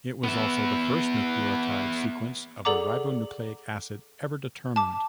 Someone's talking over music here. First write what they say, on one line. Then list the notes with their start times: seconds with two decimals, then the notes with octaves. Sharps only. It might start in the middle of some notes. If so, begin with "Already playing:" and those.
It was also the first nucleotide sequence of a ribonucleic acid ever determined.
0.24 B3 E5
2.65 G#4 A4 D5 F#5 A#5 D6
4.76 A5 D6